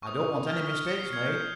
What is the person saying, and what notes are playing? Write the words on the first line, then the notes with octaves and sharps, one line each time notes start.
I don't want any mistake made.
C#6
D#6
F6
F6
C#7
C7
G#6
G6